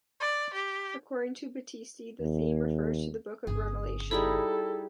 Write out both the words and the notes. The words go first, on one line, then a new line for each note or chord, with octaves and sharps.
According to Battisti, the theme refers to the "Book of Revelation".
D5
G4
D#2
G1 C#3 G#4
G3 D#4 E4 G#4 A4